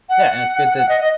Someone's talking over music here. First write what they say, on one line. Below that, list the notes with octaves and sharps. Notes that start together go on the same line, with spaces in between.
Yeah. And it's good that
F#5
F#5
D#5
D#5